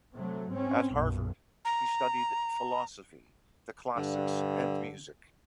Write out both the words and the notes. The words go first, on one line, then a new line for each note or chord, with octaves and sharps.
At Harvard, he studied philosophy, the classics, and music.
C3 F#3 A3
G#2 C4 C#4
B1 F#2 A#2
A#5
G2 D3